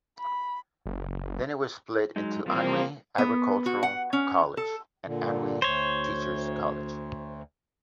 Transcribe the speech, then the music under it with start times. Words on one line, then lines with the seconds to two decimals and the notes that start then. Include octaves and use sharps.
Then it was split into Anhui Agricultural College and Anhui Teacher's college.
0.19 B5
0.86 F#1
2.16 F#3 G#3 D#4
2.46 E3 F3 G3 A#3 C4
3.18 B3
3.66 F#4
3.83 F#5
4.13 C#4
4.57 A4
5.07 A#2 D3
5.62 D2 C5 C#5